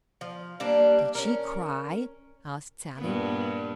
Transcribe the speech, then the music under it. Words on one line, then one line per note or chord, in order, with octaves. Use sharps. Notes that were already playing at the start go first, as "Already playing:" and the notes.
"Did she cry?" asked Sallie.
F3
G3 A#3 D4
C#4 A#4
G2 A#2 B3